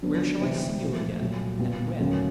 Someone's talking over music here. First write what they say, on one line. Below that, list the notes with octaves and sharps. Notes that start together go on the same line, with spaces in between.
Where shall I see you again, and when?
D3 F#3 B3 D4
C3 E3 G3 B3
A#2 F3 A3
C2 A#2 F#3
A#2 G3 B3
D#2 C#3 F#3 A3